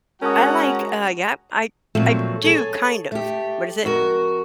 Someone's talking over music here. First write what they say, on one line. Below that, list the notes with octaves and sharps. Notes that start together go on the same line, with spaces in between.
I like, uh yep. I I do kind of. What is it?
G#3 C#4 F#4 A#4 F#5 A5 A#5 D#6
A#2 F3 F#3 A3 C4
G#4 A4 C#5
A3 G4
F2 F#4 A#4